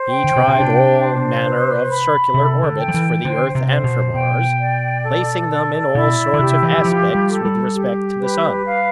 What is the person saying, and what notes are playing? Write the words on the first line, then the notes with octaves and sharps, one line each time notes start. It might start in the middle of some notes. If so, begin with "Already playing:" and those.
He tried all manner of circular orbits for the earth and for Mars, placing them in all sorts of aspects with respect to the sun.
Already playing: C5
G5
D3
C3
B2
D4
C3
C5
B4
B5
C3 A4
D3
G5
F3
E3
D3 C5
C3
C5
B2
B2 G5
D5
A4
D5
B2 E4
D3
C3 G4
E3
E3
F3 F4
G3
A4
G3
G4
B4
F5